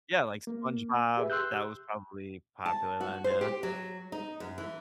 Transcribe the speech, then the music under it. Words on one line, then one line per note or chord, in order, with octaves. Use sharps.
Yeah, like, SpongeBob, that was probably popular then, yeah.
A#3
G4 G#4 B4 E5
G4 C6 E6 F#6 G6
A5
F#4
C5
G4
F#3
D#4
F#2
E3